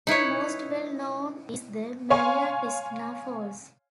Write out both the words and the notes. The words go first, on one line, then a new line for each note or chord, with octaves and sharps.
The most well known is the Maria Cristina Falls.
D#4 E4 B4 C#5
C#5 F5 G#5 C6 C#6